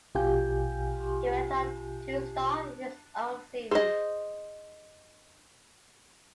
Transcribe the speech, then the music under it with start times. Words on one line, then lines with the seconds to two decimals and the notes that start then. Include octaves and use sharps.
He went on to star in his own series.
0.15 A#1 B2 F4 G4 G#5 G6
3.71 G#4 C5 D#5